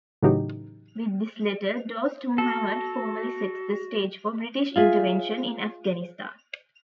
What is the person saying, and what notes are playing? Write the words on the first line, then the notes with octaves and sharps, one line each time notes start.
With this letter, Dost Mohammad formally set the stage for British intervention in Afghanistan.
A2 C#3 E3 F#3 D#4 G4
F#4 A4
F4 G#4 E5